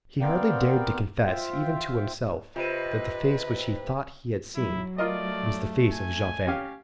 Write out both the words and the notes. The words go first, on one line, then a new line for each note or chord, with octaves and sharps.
He hardly dared to confess, even to himself, that the face which he thought he had seen was the face of Javert.
B3 C4 A#4 D5 F5 G5
F4 C5 E5 F5 G5
C3 F4 B4 C5 D#5 D#7
F#3 E4
A3 F4 A#4 D5 D#5
G#5
C#4 G4 F5